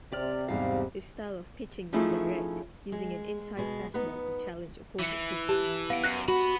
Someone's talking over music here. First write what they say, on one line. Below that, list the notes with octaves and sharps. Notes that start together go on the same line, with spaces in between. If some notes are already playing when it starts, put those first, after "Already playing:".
His style of pitching was direct; using an inside fastball to challenge opposing hitters.
C3 G4 D5 F6
E2 G#2 G3 F5
F3 A3 C#4 D#4 E4 G#4
G#3
B2 G#3
B3 D#4 B4
E3 B6 C#7
G4 A5 F#6
B3 F5 D7
F#2 F#6 A#6
B3 F#4 B5